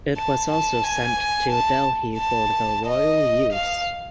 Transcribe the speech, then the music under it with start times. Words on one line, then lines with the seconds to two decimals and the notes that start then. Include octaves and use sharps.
It was also sent to Delhi for the Royal use.
0.17 A5
0.51 A5
0.84 G#5
1.51 A5
2.19 A5
2.86 D#5
3.53 F5